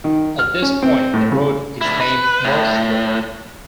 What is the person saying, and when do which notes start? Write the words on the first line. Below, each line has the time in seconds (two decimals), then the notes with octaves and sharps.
At this point, the road is named Marsh Road.
0.04 D#3
0.39 F6
0.62 C#4
0.83 C4
1.14 A2
1.32 C#3
1.81 D2 E4
2.01 B4
2.44 A2